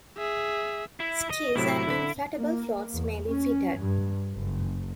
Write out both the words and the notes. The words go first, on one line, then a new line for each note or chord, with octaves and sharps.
Skis and inflatable floats may be fitted.
G#4 E5
E4
D#5
A2 C3 F#3 E4
D3 B6
A#3
E2
C#4
G2
F#1